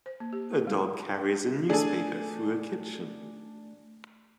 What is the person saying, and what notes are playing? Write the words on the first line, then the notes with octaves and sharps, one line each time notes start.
A dog carries a newspaper through a kitchen.
C5
A#3
G4
E4
G3
A3 D4 G#4 A4 G#5